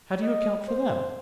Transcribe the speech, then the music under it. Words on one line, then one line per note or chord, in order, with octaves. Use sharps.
"How do you account for them?"
D#5
C5